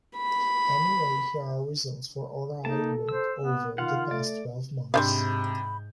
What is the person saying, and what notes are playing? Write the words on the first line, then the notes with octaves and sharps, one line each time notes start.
Anyway here are results of our hard work over the past twelve months.
B5
A#3 D#4 A4 A5
C5 E6
B3
D#3 F4 F5 F#5
A3 D5
G#2 C3 C4 D4 F5 B5 G6